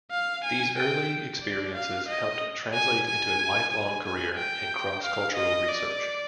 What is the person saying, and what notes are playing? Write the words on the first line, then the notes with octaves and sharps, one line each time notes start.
These early experiences helped translate into a lifelong career in cross-cultural research.
F5
G#5
G5
D5
F5
D#5
G#5
G#5
G#5
G#5
G5
F5
D#5
D5